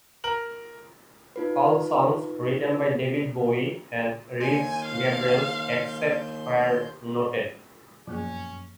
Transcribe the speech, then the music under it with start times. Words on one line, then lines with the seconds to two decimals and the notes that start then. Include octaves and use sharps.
All songs written by David Bowie and Reeves Gabrels except where noted.
0.24 A#4 F#7
1.36 D#4 F4 B4
4.41 D#2 G#5 C6 G6
4.84 F5
8.07 F#2 A#2 F3 G3 A#3 B3 C#4 G#4